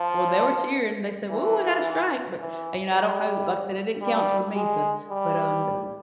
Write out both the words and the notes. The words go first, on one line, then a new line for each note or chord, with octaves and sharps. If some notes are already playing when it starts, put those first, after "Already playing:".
Well, they were cheering, they said, "Whoo, I got a strike," but, uh, you know, I don't know like I said, it didn't count toward me, so but, um b
Already playing: F3
E3
E3
G3
G3
G#3
G3